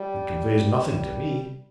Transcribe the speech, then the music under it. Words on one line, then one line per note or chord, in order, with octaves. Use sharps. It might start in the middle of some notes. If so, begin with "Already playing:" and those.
"It conveys nothing to me!"
Already playing: G3
G3